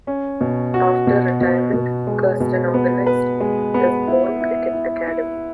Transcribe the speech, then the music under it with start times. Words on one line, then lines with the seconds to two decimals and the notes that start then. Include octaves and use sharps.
After retirement, Kirsten organized his own cricket academy.
0.07 C#4
0.41 B2
0.74 F#4
1.07 B2
1.41 B2
1.73 B2
2.07 G#3
2.40 B2
2.74 B3
3.07 B4
3.40 G#3
3.74 B3
4.07 E4
4.41 E4
4.73 E4
5.07 E4